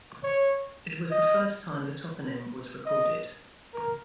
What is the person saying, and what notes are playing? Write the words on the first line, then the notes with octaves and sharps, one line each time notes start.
It was the first time the toponym was recorded.
C#5
D#5
D#5
A#4